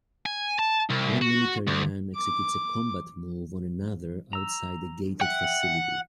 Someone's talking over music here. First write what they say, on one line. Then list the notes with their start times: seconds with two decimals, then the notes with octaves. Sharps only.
One military man executes a combat move on another outside a gated facility.
0.26 G#5
0.59 A5
0.90 C2
1.22 F#4
1.67 D2
2.15 D6
4.33 A#5 E6
5.21 E5 F#5 G5